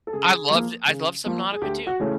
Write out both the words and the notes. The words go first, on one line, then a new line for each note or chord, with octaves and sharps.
I loved I loved some Nautica too.
A4
C#3 G#4
F3 A#3
C#3
F3 A#3
G#4
D2 G4
F#4
C#3 E3 A3 C#4